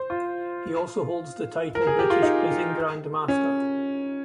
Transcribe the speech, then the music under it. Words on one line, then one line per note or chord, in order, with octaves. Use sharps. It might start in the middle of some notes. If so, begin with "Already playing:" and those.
He also holds the title "British Quizzing Grandmaster".
Already playing: C5
F4
A#4
G#4
G4
F4
D#4
C#4